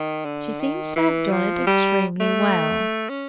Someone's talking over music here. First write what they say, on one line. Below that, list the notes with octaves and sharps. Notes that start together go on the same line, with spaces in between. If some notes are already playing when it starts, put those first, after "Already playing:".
She seems to have done it extremely well.
Already playing: D#3
D3
D#3
E3
F3
G3
A3
C#4